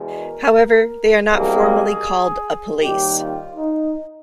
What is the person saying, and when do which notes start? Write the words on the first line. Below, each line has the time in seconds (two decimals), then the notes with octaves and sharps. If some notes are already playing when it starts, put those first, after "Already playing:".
However, they are not formally called a "police".
Already playing: E2 B2 G#3
0.17 A#4
1.30 C2 B2 G3 A#3 G#4
2.81 D#2 D#3 G3 G4
3.19 F4
3.56 D#4